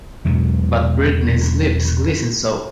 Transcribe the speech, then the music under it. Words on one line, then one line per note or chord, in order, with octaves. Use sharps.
But Britney's lips glisten so...
E2 G#2 B2 F#3